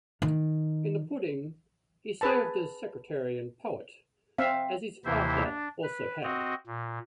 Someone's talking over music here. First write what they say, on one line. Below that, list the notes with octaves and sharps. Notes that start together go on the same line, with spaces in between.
In the Pudding, he served as Secretary and Poet, as his father also had.
D#3
G#4 B4 A5
C4 E5 F5
D#2 C3 E3 E4 C5 E5
D4
B4
C4 F#4 D#5
A#2